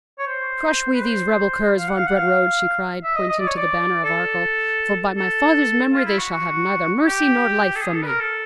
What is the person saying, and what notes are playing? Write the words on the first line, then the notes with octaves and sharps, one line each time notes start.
"Crush we these rebel curs, von Brederode," she cried, pointing to the banner of Arkell; "for by my father's memory, they shall have neither mercy nor life from me."
C#5
C5
B4
C5
F5
F#5
F5
F#5
F5
E5
D#5
D#5
D5
C#5
D5
A4
A4
F4
E4
F#4
F#4
G4
A4
G#4
A4
B4
A#4
A4